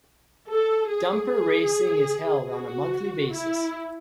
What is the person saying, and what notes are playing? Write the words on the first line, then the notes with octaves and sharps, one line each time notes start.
Dumper racing is held on a monthly basis.
A4
G#4
G#4
F#4
E4